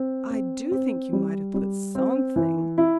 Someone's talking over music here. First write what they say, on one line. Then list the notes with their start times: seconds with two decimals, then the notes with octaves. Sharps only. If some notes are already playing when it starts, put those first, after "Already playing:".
"I do think you might have put something."
Already playing: C4
0.30 C4
0.72 C4
1.13 G3
1.54 G3
1.95 C4
2.36 E3
2.78 E4